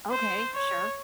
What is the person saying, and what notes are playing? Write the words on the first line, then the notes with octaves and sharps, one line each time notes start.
Okay, sure.
C5
C#5